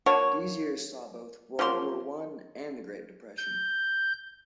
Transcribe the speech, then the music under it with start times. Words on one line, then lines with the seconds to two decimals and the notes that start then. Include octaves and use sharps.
These years saw both World War One and the Great Depression.
0.06 A#3 D4 F#4 C#5
1.59 F3 F#3 A#3 C6
3.38 G6